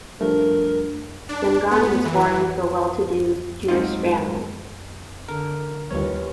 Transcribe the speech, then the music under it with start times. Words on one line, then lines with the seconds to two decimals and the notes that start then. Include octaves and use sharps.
Spingarn was born into a well-to-do Jewish family.
0.21 F3 G3 A3 D4 A#4
1.29 D4
1.71 B3
2.05 E3
3.68 G#2 F#3 A#3 C4 D#4 F4
5.28 D3 A#4
5.91 D#2 F3 G3 C#4 E4 F4 B4 C#5